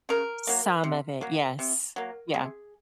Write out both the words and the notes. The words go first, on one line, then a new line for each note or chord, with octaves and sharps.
Some of it, yes, yeah.
C#3 A#4
F#3 A#3
C3
F#3 A#3
C3
F#3 A#3
C3 G#4